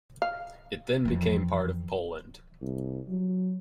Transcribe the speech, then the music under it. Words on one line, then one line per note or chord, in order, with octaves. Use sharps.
It then became part of Poland.
F5
F2 E3
C2
F#3